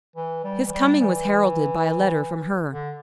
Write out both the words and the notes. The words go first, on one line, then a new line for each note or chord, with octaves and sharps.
His coming was heralded by a letter from her.
E3
G3
E3
G3
E3
D3